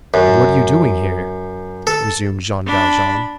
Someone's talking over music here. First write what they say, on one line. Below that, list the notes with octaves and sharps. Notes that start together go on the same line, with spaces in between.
"And what are you doing here?" resumed Jean Valjean.
F#2
A4
D4 B5